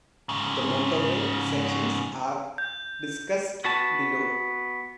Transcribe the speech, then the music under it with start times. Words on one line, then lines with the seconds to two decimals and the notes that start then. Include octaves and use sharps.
The motorway sections are discussed below.
0.29 G#2 C#3
2.58 G6
3.64 B3 F#4 A5